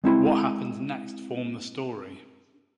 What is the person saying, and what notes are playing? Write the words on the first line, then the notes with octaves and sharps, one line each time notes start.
What happens next form the story.
G#3 C4 E4 C6